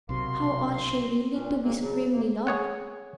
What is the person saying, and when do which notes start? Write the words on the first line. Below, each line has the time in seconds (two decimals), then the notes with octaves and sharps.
How ought she really to be supremely loved!
0.09 B1 C3 A#3 F#4 C6
1.32 A#2 C#4 D4
1.62 D#2 B2 G#3 A#3 C4
1.78 C#3 F#3
2.12 F#2 C3 A#3
2.47 G#4 C#5 F#5